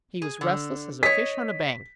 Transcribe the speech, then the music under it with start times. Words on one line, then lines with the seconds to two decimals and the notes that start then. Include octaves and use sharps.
He was restless as a fish on a bank.
0.22 G#4
0.41 D3
1.03 C#5 D#5 B6